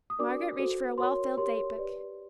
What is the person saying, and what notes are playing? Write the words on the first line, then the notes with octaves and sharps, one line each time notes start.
Margaret reached for a well-filled date-book.
D#6
D4 F#4 A#4 D5 D6
F#4 A4 C5
F#4 A#4 C#5 C6
G4 A#4 C#5 C6
G4 B4 D5